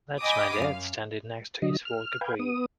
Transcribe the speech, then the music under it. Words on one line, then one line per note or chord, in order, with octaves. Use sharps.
That's my dad standing next to his Ford Capri.
D#5 G5 G#5 B5 D6 D#6
F#2 F5
D3 F#3 D#5
F6
B4 F5 G5 G#5
B3 D#6